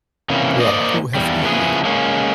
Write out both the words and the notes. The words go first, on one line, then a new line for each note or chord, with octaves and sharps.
Well who have we here?
C3 E3 A#3 C#4
A#3 C5 D5 D#5
E2 G3
C#3 F3 A#3 B3 E4 G#4
G#3 A#3 C#4